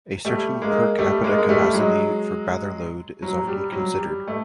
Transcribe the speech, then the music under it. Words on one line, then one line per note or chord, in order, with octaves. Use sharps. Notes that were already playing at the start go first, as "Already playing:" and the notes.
A certain per capita capacity for bather load is often considered.
G3 A3
G#3 A#3
G3 A3
G#3 A#3
G#3
G3 A3
F#3 G#3
F#3
F#3
G3
F#3
G3
A3